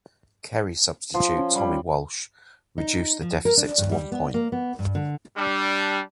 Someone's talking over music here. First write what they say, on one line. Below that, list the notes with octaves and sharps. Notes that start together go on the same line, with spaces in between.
Kerry substitute Tommy Walsh reduced the deficit to one point.
F3
C#4
G3
D#4
F3
A#4
D4
G2
G3
B3
A#3
B3
G2
D3
G3 D4